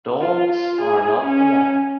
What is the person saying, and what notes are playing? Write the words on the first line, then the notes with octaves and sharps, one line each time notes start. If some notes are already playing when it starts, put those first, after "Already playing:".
Dogs are not allowed.
F4
F4
G#4
C#4